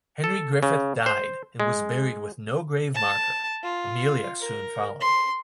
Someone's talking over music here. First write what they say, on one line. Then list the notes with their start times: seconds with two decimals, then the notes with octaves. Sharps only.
Henry Griffith died and was buried with no grave marker; Amelia soon followed.
0.24 A4
0.63 C#3
1.06 C5
1.60 G#3
2.94 A5
3.63 F4
4.40 A#4
5.01 C6